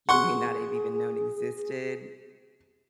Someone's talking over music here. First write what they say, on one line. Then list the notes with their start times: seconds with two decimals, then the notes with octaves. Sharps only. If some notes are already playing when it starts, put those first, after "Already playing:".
you may not have even known existed
0.09 G#4 F#5 C6 C#6 F#6